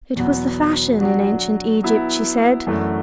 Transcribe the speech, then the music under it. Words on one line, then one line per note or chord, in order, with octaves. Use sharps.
"It was the fashion in ancient Egypt," she said.
E2 B2 F#3 B3
F#3 D4 F#4
F#3 B3 E4
F#2 E3 A3 D4 F#4